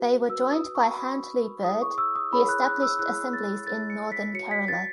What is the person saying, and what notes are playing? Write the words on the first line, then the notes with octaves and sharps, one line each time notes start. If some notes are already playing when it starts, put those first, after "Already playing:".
They were joined by Handley Bird, who established assemblies in Northern Kerala.
Already playing: F#4 B4
F#4 E6
B4
D#6
C#6
F#4 B4 B5
E4 G#4 C#5 D#6
C#6
E6
D#6
E4 G#4 C#5 B5
F#6
F#6
E6
E4 G#4 C#5 F#6
A6
E4 G#4 C#5 A6
C#7
B6
F#4 C#5 C#7
B6
A6